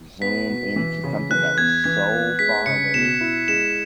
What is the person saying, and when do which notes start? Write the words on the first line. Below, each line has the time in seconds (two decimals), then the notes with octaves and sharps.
zoom into something that was so far away
0.21 B3 B6
0.49 B2
0.76 E3
1.04 C#3
1.31 E3 F#6
1.58 E2 G#6
1.84 E3 G#6
2.13 B3
2.39 G#3 B6
2.66 C#3 C#7
2.94 B2 E7
3.21 E4
3.48 G#3 E7